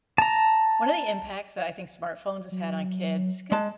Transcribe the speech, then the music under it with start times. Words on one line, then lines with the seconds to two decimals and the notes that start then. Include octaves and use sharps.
one of the impacts that I think smartphones has had on kids 'cause
0.18 A5 A#5
2.52 F#3
3.52 G#3 A5